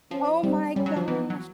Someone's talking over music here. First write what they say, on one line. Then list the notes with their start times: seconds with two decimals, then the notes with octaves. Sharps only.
Oh my gosh.
0.11 F3 C#4
0.43 G3 C4
0.76 G3 C#4
0.86 F#3
0.96 F3
1.08 E3 B3
1.30 F#3